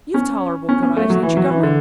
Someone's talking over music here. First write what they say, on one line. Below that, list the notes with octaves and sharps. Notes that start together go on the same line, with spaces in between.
'You've tolerable good eyes, ain't you, Governor?
C#4
C#4
C#4
A3
F#3
E3
F#3
E3
D3